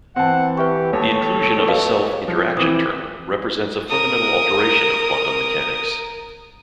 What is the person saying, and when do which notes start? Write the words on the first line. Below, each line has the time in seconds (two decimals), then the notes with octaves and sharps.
The inclusion of a self-interaction term represents a fundamental alteration of quantum mechanics.
0.16 E3 C4 F#5 A5
0.58 G4 B4 E5 C#6
0.93 D#2 A4 C#5
1.68 B4 D#5 F5
2.28 F3
2.57 E3 C4 D6 D#6
3.89 A#4 D#6